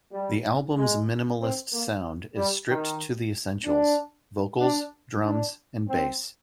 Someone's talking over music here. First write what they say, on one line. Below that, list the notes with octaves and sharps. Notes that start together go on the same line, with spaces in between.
The album's minimalist sound is stripped to the essentials: vocals, drums, and bass.
G3
G#3
C4
A#3
G3
D#3
D4
D4
D4
C4